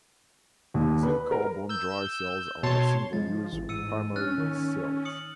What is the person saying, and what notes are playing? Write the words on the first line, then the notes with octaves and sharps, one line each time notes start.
Zinc-carbon dry cells are single-use primary cells.
D#2
B4
A#4
E6 G6
B2 C#5 A5 C6
F3 G#3 A6
G#1 E3
G#2 E6 C#7 D#7
C#4 F6 F#6 A6
D#3 A#4
D#6 C#7 F#7